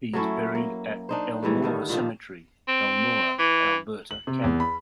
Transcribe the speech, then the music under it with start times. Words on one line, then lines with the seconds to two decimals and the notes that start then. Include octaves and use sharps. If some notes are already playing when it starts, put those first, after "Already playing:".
He is at buried at Elnora Cemetery, Elnora, Alberta, Canada.
0.13 F#3 A3 C#4 E4
0.55 A#3
1.09 D4 D#4 C5
1.43 G#2 E3 G3 A3
1.62 G2 D3 D#3
1.89 A#2 D#3 F3
2.68 C4
3.39 E3
4.11 F#7
4.27 C3
4.44 E2
4.60 B5